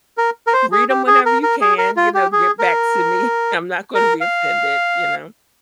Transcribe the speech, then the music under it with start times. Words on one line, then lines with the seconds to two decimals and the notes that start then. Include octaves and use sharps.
Read 'em whenever you can, you know, get back to me. I'm not gonna be offended," you know.
0.18 A#4
0.47 A#4
0.53 C5
0.72 G#4
0.90 G4
1.07 G#4
1.26 A#4
1.43 A#4
1.61 G#4
1.78 A#4
1.97 F4
2.15 G4
2.32 G#4
2.59 A#4
3.95 A#4
4.21 F5